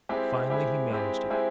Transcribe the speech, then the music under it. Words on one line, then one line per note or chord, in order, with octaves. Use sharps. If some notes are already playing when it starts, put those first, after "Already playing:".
Finally he managed it.
G#3 C4 E4 G4
G#3 C4 E4 G4
G#3 C4 E4 G4
G#3 C4 E4 G4